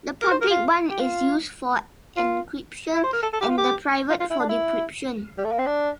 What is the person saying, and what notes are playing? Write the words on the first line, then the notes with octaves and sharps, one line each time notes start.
The public one is used for encryption, and the private for decryption.
A#4
C5
A#4
F4
G4
F4
F4
E4
C5
A#4
A4
A4
G4
F4
G4
F4
F4
E4
D4
E4
G3
A3
A#3
C4
D4